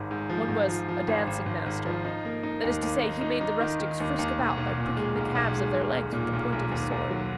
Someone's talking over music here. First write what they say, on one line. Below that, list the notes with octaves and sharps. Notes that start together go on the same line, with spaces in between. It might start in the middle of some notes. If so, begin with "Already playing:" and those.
One was "a dancing master;" that is to say he made the rustics frisk about by pricking the calves of their legs with the point of his sword.
Already playing: G#1 G#2
G#2
F3
G#2
F3
F3
G#1
G#1
G#1
G#1
F3
D#4
A#3
D#4
D#2
D#2
D#4
D#4
D#4
D#3
D#3
D#2
D#2
B1
B1
A#2
G#3
B1
B1
G#3
B1
B1
A#2
B1
B1
D#2
D#2
F#3